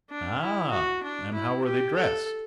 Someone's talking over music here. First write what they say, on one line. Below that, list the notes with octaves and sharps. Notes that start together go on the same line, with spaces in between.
"Ah! and how were they dressed?"
D4
E4
F#4
D4
E4
G4
A4